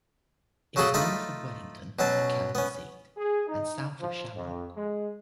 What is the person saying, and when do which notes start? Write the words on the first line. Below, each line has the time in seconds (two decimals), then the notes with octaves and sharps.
It is north of Wellington, the county seat, and south of Shamrock.
0.76 C#3 F#3 C#4 F#4 G#4 A4
0.94 A3 D#4 F4 F5 B5
1.99 B2 F#3 C#4 A5
2.55 B3 C#4
3.17 G#4
3.48 D#4
4.00 F3
4.36 F2
4.76 G#3